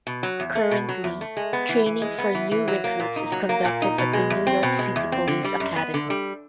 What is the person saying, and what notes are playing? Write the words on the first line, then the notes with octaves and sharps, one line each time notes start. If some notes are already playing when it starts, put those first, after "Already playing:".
Currently, training for new recruits is conducted at the New York City Police Academy.
B2
F#3
E2
A3
B2
F#3
E2
A3
G#3
B3
E3
E3
G#3
B3
E3
E3
F#3
A#3
A#2
D#4
F#3
A#3
A#2
D#4
B2
G#3
E2
C4
B2
G#3
E2
C4
D3
G3
F#2
B3
D3
G3